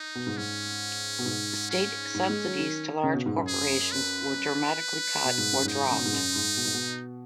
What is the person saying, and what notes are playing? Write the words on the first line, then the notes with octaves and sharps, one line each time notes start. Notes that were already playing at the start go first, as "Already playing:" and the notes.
State subsidies to large corporations were dramatically cut or dropped.
Already playing: D#4
B2
G#2
G#2 C#4
B2
G#2
C#4
G#2
G#3
F#3
D#3
C#3
B2
G#2
F#2
G#4
B4
B2
G#2
F#2
G#2 D#4
D#3
C#3
B2
G#2
F#2
G#2
B2
G#2
B2